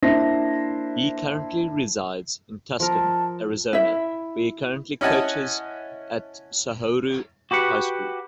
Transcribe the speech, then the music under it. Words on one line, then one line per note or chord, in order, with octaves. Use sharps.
He currently resides in Tucson, Arizona, where he currently coaches at Sahuaro high school.
A#3 D4 E4 C5 A#6
F3 A#4 A5
E4 E5
C#4 E4 D#5 F#5 G#5 A5
F#4 G4 B4 F#5